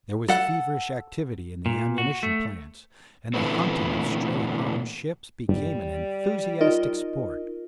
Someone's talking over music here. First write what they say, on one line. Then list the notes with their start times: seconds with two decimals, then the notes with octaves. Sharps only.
There was feverish activity in the ammunition plants, and the hunting of stray Han ships became an enthusiastic sport.
0.28 A4 F#5
1.66 A#2
1.98 F#4
2.23 A3
3.34 A#2 D3 E3 A3 B3 C4
5.49 G1 G3
6.61 D#4 F4 A#4 D#5